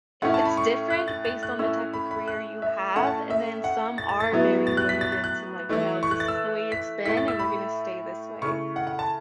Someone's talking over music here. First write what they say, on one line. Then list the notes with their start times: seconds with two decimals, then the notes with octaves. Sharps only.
it's different based on the type of career you have, and then some are very limited to, like, "No, this is the way it's been, and we're gonna stay this way."
0.22 A2 A3 C#4 E4 F#5
0.34 A5
0.45 B5
0.57 C#6
0.90 F#6
1.08 A6
1.25 A6
1.43 F#6
1.59 A2 A3 C#4 E4 E6
1.94 B5
2.11 B5
2.28 F#6
2.62 E5
2.96 A2 A3 C#4 F#5
3.07 A5
3.30 E5
3.64 F#5
3.98 A6
4.09 A6
4.20 A6
4.32 A2 F#3 B3 E4
4.67 A6
4.77 F#6
4.89 B6
5.01 A6
5.12 A6
5.24 F#6
5.69 E3 A3 E4
6.03 C#6
6.11 F#6
6.20 A6
6.28 E6
6.72 B6
7.06 A2 A3 E4 B6
7.17 A6
7.28 E6
7.39 B5
8.42 C#3 A3 E4 C#6
8.76 F#5
8.87 F#5
8.99 A5